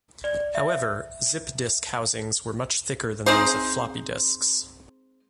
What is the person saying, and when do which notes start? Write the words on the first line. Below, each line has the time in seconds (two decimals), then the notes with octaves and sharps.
However, Zip disk housings were much thicker than those of floppy disks.
0.24 D5
0.55 E5
3.26 G#3 C4 D#4 C5